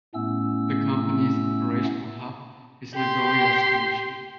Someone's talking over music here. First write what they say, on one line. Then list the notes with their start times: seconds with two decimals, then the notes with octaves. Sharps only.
The company's operational hub is Nagoya Station.
0.14 A2 A3 B3 C#4 E6
2.94 G4 C6